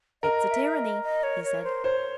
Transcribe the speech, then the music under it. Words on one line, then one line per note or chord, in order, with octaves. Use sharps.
"It's a tyranny," he said.
A#4 D#5
E5
D#5
D#5
C#5
C#5
C5
C5 C#5